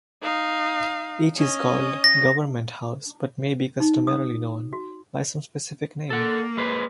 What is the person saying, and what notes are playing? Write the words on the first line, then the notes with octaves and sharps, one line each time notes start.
Each is called "Government House", but may be customarily known by some specific name.
D#4 F5
C#4 D#5
A#6
D#4
D#6
F#4
A#3 A4 F#5
G#3 B4 C5